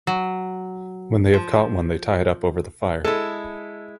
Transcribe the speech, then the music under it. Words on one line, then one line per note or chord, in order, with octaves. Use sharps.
When they have caught one they tie it up over the fire.
F#3
F3
G#3 E4 A4